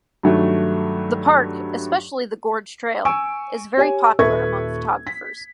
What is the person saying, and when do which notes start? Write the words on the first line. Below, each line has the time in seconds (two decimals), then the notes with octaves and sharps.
The park, especially the Gorge Trail, is very popular among photographers.
0.23 G2 D#3 F#3 A3
3.05 G#5 C#6 E6 D7
3.77 G4 C#5 G#5
4.19 D#1 A4 B4 E5 C#6 G#6
5.07 B6